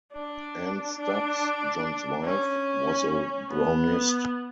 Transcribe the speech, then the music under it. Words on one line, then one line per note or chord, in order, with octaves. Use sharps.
Anne Stubbs, John's wife, was a Brownist.
D4
D4
C#4
B3